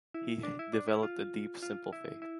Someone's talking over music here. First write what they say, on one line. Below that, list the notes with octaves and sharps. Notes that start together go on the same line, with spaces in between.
He developed a deep, simple faith.
E4
D4
E4
D4
E4
F4
F4
E4
E4